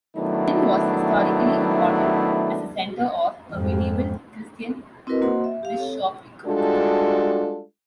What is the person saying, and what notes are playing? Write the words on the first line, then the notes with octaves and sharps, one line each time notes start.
Nin was historically important as a centre of a medieval Christian Bishopric.
D#3 F#3 A3 B3 D4 E4
F2 G#2
C4 E4 F#4 A#4 B4 D#5
A#3 F#4 C5 D#5 F#5 C6
E5
G4 F5
C4 A4 C#5
G3 G#3 D4 F4 F#4 A4